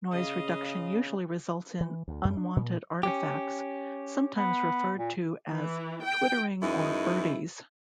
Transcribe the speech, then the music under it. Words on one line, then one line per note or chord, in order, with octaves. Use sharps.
Noise reduction usually results in unwanted artifacts, sometimes referred to as "twittering" or "birdies".
C#3 D#5 F5
E3
D2
F#2
D4
A#2
C#4 G4
B3
A#2
E3
G5
F#2 E3 G#3 D#4 E4